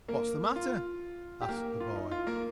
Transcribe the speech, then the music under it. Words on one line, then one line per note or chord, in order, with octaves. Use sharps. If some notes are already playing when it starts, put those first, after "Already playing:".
"What's the matter?" asked the boy.
A#3 A#4
F4
G4
A#3 A#4
F4
D#4
F4
A#3 A#4